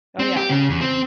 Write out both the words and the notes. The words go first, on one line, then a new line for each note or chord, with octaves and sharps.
Oh, yeah.
C4
G4
C#3
E2
C4